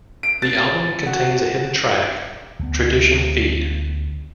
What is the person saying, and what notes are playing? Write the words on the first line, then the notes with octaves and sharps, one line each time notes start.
The album contains a hidden track, "Tradition Feed".
D7
A6
F#4
D2 B3